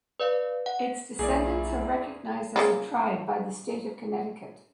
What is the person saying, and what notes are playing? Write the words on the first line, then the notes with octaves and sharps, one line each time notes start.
Its descendants are recognized as a tribe by the state of Connecticut.
B4 D5 F5
F#5
B1 E2 A#3 E4 G#4 D5
C#3 A#3 F4